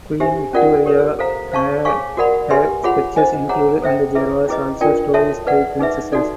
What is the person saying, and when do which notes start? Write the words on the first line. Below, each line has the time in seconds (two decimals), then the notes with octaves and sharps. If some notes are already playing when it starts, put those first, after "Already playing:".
Queen Victoria had her sketches included and there was also stories by princesses.
0.20 D4 G4 C5 E5 G#5
0.53 C#4 F4 A#4 D5 F#5
0.86 G4 A#4 C#5
1.19 A4 C5 F5 A#5
1.52 C5 F5 A5 C#6
1.85 G#4 C#5 F5 G#5 C#6
2.17 F#4 A#4 D5 F#5 B5
2.50 G4 B4 E5 G#5 C6
2.84 F4 G#4 C#5 F#5 B5
3.16 C5 D#5 G#5
3.49 G#4 C#5 F#5 A#5
3.82 A4 C5 E5 G5
4.15 E4 G#4 B4 E5
4.48 C#4 E4 G#4 B4 D#5
4.81 D4 F4 A#4 D5 G5
5.14 F#4 A4 C#5 E5 A5
5.47 B4 D5 F#5
5.79 D#4 G#4 B4 E5
6.12 D#4 F#4 A4 D5